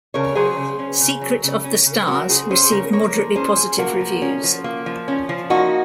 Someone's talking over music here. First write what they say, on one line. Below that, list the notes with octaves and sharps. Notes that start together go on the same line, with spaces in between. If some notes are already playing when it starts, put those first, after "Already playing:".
"Secret of the Stars" received moderately positive reviews.
C#3 A#4 C#5
F#3 G#4 C5
C#3
C#4
C#3
F#3
C#3
C#4
C#3
C5
F#3 F#4 A#4
C#3 G#4 C5
C#4 G#4 C5
C#3 A#4 C#5
A#3 A#4 C#5
F3
C#4 G#4 C5
F3
A#3 F#4 A#4
F3
C#4
F3
A#3
F3
C#4
F3
A#3 D#4 F#4